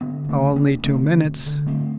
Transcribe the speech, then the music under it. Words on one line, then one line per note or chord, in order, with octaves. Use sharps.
"Only two minutes."
D3 B3 D4
D2
A3 C4
D2
B3 D4
D2
D3 A3 C4
D2
D3
D3
D3 A3 C4